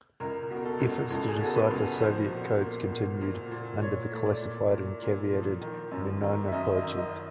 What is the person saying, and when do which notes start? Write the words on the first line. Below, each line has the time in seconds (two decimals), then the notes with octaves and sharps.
Efforts to decipher Soviet codes continued under the classified and caveated Venona project.
0.20 C#2 A#4
0.51 B2
0.57 A#4
0.65 A4
0.80 C#2
1.11 C#2 A4
1.28 G#4
1.37 B2 A4
1.46 A#4
1.56 B4
1.71 C#2
2.00 F3 C5
2.31 A#2
2.61 A#3
2.90 A#2
3.21 A#2
3.52 A#2
3.81 A#2 C#5
4.12 A3
4.26 D5
4.42 A#2
4.72 A#2
5.02 A#2
5.32 F3
5.61 D#3
5.91 F#2
6.22 D#3
6.48 E5
6.52 F#2 D#5
6.75 D#5
6.82 D#3
6.98 D#5